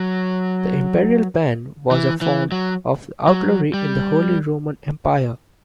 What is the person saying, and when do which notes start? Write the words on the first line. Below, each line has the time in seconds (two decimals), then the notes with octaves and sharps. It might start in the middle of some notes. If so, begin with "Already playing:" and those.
The imperial ban was a form of outlawry in the Holy Roman Empire.
Already playing: F#3
1.91 E3
2.22 E3
2.52 F#3
3.28 F#3
3.74 G3